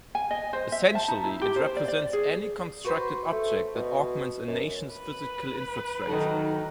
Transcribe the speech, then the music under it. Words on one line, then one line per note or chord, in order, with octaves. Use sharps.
Essentially, it represents any constructed object that augments a nation's physical infrastructure.
G#5
D#5
C5
E5
A5
D#4
E4
G4
C5
D5
D5
G#4
F#4 B4 C5
A3
B2
F#2
B4
D#3 F#3 D#4 A4